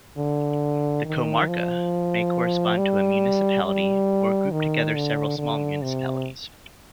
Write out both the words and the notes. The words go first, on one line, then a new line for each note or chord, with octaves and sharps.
The "comarca" may correspond to a municipality, or group together several small municipalities.
D3
D#3
F3
G3
G3
D#3
D3
D3
C3